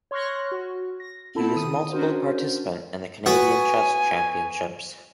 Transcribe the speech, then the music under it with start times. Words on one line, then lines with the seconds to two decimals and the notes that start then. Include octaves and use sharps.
He was multiple participant in the Canadian Chess Championships.
0.11 C#5 C6 C#6 F6 F#6 A#6
0.52 F#4
1.00 A#6
1.35 B3 C4 E4 A4 A5 B5
1.56 D#3 D#6 D#7
1.92 C#4 D4 F#4 A#4 C5
3.26 B3 F#4 G#5